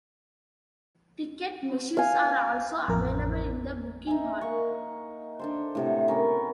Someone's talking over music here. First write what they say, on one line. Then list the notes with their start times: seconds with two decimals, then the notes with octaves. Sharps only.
Ticket machines are also available in the booking hall.
1.97 F5 G#5
2.88 A1 F2 A#4
4.07 D#4 D#5 E5 G#5
4.41 A#3 C#6
5.39 D4 A4 C5
5.75 A2 C3 F#5
6.08 B3 C#4 A#4